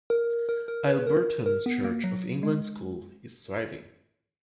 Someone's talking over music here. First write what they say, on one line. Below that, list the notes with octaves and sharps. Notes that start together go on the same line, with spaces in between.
Aylburton Church of England School is thriving.
A#4
A#4
A#4
B4
A#4
A#4
B3
A#3
F#3
G#3